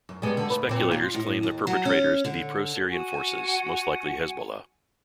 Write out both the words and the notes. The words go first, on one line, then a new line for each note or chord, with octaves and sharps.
Speculators claim the perpetrators to be pro-Syrian forces, most likely Hezbollah.
F#2
G3 G#3 B3
D3
D2 B4
A#2 C4
F4
A2
D#2
F#3
C#4
D3
F#4 F#5 G#5